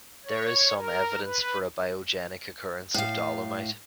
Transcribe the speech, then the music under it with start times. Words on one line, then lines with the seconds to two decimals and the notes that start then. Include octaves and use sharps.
There is some evidence for a biogenic occurrence of dolomite.
0.25 C#5
0.77 A#4
1.24 B4
2.94 A2 F5